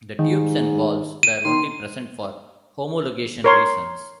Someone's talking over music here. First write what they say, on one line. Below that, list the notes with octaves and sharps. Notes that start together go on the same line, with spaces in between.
The tubes and valves were only present for homologation reasons.
G#2 D#3
D#7
D#3 C6
A#4 C#5 C6